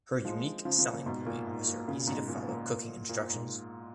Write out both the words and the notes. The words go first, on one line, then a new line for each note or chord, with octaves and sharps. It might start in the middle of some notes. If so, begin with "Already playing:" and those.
Her unique selling point was her easy to follow cooking instructions.
F3 G#3
C#3 F3
C#3 F3
A#2
G#2 B2
A#2
G#2
A#2
A#2 C#3
G#2 B2
A#2
A#2
A#2
G#2